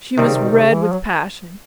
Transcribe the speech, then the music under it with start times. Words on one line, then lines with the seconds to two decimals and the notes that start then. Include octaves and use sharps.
She was red with passion.
0.18 C3 D#3 G3 C4
0.26 C#3
0.35 C3
0.43 B2
0.51 C3
0.62 C#3
0.73 E3
0.84 F3
0.92 F#3